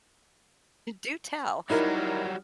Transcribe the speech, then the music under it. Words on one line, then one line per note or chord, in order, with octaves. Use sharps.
Do tell.
F#3 G3 D#4 E4 A#4